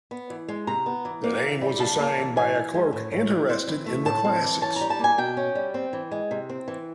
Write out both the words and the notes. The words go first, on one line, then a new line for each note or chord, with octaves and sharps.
The name was assigned by a clerk interested in the classics.
B3
E3
G#3
C3 A#5
B3
E3
A#3
E3
G3
C#3 A5
A#3
E3
A2 G#5
E3
G#3
A2
A2
E3
C4
E3
A3
A2 A5
C4
E3
C#4 A5
G3 A#5
A5
A#3 G#5
B2 G5
C#4
G3
C4
E3
G#3
C3
C4
E3